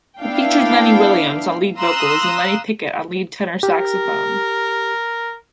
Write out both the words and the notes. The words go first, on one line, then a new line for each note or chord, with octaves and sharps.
It featured Lenny Williams on lead vocals and Lenny Pickett on lead tenor saxophone.
B3 D4 E4 F5 G5
F5 A#5 C6 D#6 E6 F#6
G4 A#4